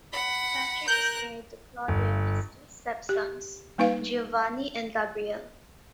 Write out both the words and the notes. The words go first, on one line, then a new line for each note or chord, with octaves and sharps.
Patrick is married to Claudia and has two step sons, Giovanni and Gabriele.
F#5 B5
A#4 F#6 G6
G1
G4
G3 A#3 D#4 B4 F5